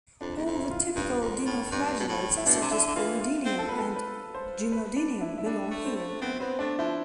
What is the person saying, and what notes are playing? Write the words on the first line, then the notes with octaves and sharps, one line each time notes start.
All the "typical" dinoflagellates, such as "Peridinium" and "Gymnodinium", belong here.
F2 D4
E2
F2 E4
F4
G2
F2
A2
G2
B2
A2
E4
B2 D4
C3
D3 E4
D3
E3 F4
F4
C4
A4
B3 B4
A4
B4
C5
B4
D4
E4
E4
G3 D4
A3
C4
A3
B3 C4
B3 C4
A3 D4
F3 E4